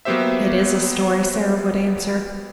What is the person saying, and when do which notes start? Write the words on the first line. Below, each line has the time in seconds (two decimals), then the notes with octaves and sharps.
"It is a story," Sara would answer.
0.05 F#3 A#3 B3 G4 C5 E5